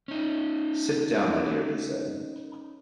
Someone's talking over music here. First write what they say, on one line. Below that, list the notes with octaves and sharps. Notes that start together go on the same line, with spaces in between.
"Sit down, my dear," he said.
C#4 D#4